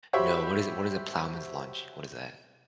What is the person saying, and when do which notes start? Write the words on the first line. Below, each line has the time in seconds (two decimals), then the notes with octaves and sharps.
No, what is what is a ploughman's lunch? What is that?
0.13 F#4 G4 C5 C#5 E5 B5